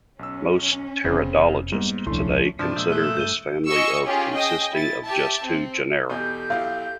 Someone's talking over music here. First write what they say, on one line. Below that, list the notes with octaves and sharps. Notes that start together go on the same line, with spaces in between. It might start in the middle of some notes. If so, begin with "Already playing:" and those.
Most pteridologists today consider this family of consisting of just two genera.
B1 C#4 E6
F1 C#3 B3 C4
G#2 G3 A#3 B3
D#1 C2 F3 A3 C#4 D4 E4 C6
G2 C3 E3 F3 D4
A#2 G#3 E5 E6 G6
A3 E6 F#6 G7
E7
G2 G6 D#7 G7
G#4 D#5 C#6 E6 C#7
C#4 F4 G4 G#4
G#4 D#5 G5 D#6
E4 A6
G4 E5 A5
C4
E2 B2 G4 A4 G6
B1 E4 F5